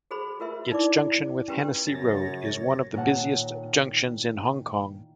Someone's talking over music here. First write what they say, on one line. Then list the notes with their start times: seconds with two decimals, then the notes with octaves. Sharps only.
Its junction with Hennessy Road is one of the busiest junctions in Hong Kong.
0.11 F#4 G#4 A4 C5 B5 C6
0.40 F4 F#4 A#4 B4 E5 C6
0.71 D#4 E4 D5 D6
1.48 C#4 G4 B4 A#5 C6
1.87 F#2 C#3 F3 F#3 C#5 A6 A#6
2.95 A#2 D#3 C#5 F#5 A5